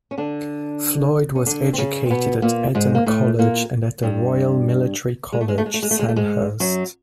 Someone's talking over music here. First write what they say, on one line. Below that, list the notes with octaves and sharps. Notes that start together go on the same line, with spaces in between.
Floyd was educated at Eton College and at the Royal Military College, Sandhurst.
C#4
D3 D4
C#4
D3 D4
C4
C#3 C#4
C4
B2 B3
A#2 A#3
G#2 G#3
A#3
A2 A3
A#2 A#3
G2 G3
G#3
A3
G#3
A3
G#3
A3
G#3
A3
G#3
A3
G#2 G#3
F#2 F#3